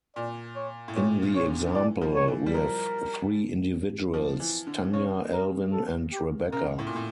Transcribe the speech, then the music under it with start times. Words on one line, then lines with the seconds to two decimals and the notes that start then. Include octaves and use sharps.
In the example, we have three individuals: Tanya, Alvin, and Rebecca.
0.16 A#2 D5
0.56 C#5
0.88 A2
0.95 A#2 C#5
1.22 C#3
1.36 C#5
1.48 D3
1.66 D3
1.75 E3 D5
2.01 F3
2.15 C#5
2.28 E3
2.46 G3
2.54 F3 A#4
4.14 F3
4.40 E3
4.67 D3
4.93 C#3 C#5
5.33 A#4
5.72 A4
6.13 G4
6.52 C#3 A#4
6.79 A2
6.87 A#2
6.96 A2